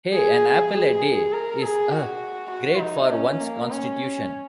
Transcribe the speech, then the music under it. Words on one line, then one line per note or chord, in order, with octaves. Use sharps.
Hey, an apple a day is...uh...great for one's constitution!
G#4
G#4
A#4
G#4
F#4
F#4
D#4
C#4
A#3
C#4